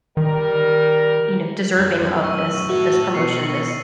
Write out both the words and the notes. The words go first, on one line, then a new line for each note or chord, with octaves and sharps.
you know, deserving of this this promotion, this,
D#3 G3 A#4
F#2 D#3
C#6 E6 F6
E4 F#4 A4
B2 C#6 C7 C#7